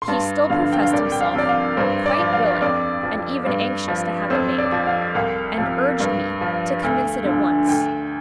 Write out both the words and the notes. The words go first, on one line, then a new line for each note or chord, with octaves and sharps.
He still professed himself quite willing and even anxious to have it made, and urged me to commence it at once.
C6
G2 A5
D3 F3 F5
G5
F5
C2 D5
G5
F5
C3 F3 D5
F5
G2 C5
D5
F3
F5
F2 D5
F3
G2
F3
F2 C5
D5
F3
F5
C2 F5
C3 F3
G2
F3
D2
D3 F3
D2 G5